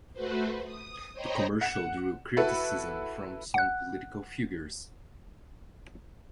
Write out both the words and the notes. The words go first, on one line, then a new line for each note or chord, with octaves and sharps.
The commercial drew criticism from some political figures.
A3 F#4 B4 C5
D#6
C5 C#5 D#5 G5 A#5 B5
F#5 E7
E4 F#4 A4 B4
F#5 F#6